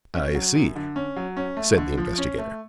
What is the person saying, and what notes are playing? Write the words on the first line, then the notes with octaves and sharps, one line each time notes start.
"I see," said the investigator.
C#4
F#3
F#2
D3
C#4
F#3
C#4
A3
D3
F3
C#4
A3